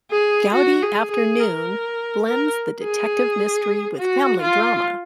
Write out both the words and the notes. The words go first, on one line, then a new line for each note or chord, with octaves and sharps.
"Gaudi Afternoon" blends the detective mystery with family drama.
G#4
F#4
G#4
G#4
A#4
A#4
G#4
F#4
F4